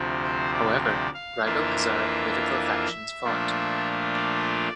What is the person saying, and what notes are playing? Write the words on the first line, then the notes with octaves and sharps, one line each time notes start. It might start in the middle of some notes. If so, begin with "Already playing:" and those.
However, rival Hazara political factions fought.
Already playing: D2 C3 F3 C4
C5
D5
D5
F5
F2 E3 A#3 D4 F4 E5
A#2 F3 A3 D4 F4
D5